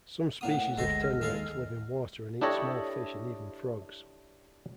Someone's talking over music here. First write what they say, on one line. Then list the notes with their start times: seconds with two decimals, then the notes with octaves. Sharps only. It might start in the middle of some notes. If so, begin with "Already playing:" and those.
Some species of tenrecs live in water and eat small fish and even frogs.
0.41 A2 A#3 F#5 D#6
0.77 G1 D2 G#3 A4 C5 A#6
1.02 F6
1.21 D#2 G#3 A4 F5
2.41 D4 E4 G4 A4 C#5 D#5